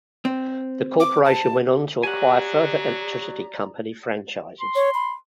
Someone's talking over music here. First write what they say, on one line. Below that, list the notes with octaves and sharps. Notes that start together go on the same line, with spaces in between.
The corporation went on to acquire further electricity company franchises.
C4
D6
A5
F#3 G4 D5 F#5 G#5 A#5
C6
C#5
B5